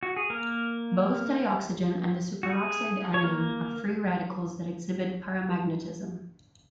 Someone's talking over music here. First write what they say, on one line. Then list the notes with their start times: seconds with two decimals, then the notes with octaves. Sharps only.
Both dioxygen and the superoxide anion are free radicals that exhibit paramagnetism.
0.03 F#4
0.17 G#4
0.30 A#3 A#4
2.43 F#4
2.50 G#4
3.14 C#5
3.24 A#3 A#4